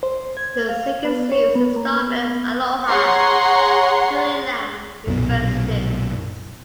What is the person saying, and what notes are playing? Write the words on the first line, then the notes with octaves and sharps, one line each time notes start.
The second series installment, "Aloha, Julie Lang," reversed this.
C5
G#6
F5
B3
C#5
B3
A#3
B3
G#4 C#5 F#5 A#5 C6 C#6
B1 F#2 A#2 B3